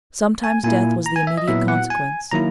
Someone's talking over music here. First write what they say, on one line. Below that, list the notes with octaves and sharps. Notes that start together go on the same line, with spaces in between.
Sometimes death was the immediate consequence.
G#5
A#2 A#3 E4 G#5
A#5
G#5
E5
D#5
A#2 F#3 B3 E4 E5
F#5
G#5
D#3 F#3 A#3 E4 A#5